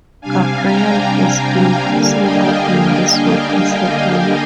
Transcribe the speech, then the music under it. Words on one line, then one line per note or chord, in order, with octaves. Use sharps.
Gabrielle has been passing off Mary's work as her own.
C3 G3 D4 F5 G#5
G5 A#5
F5 G#5
G5 A#5
D3 G3 A#3 D4 F5 G#5
D#5 G5